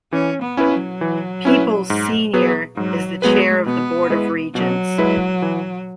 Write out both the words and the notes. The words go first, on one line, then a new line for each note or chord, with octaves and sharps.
Peeples, Senior is the chair of the Board of Regents.
E3 C#4
B3
C#4 E4 B4
F#3
E3
C#4 E4 B4
G#2
F#3 B3 G#4 B4
G#2 F#3
F#3 G#3 B3 G#4 B4
B2 B3
G#3 E4 B4
B2 F#3
G#3 E4 B4
E3